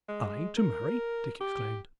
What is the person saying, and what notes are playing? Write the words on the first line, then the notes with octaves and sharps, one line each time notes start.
"I to marry!" Dick exclaimed.
G#3
A#4
G4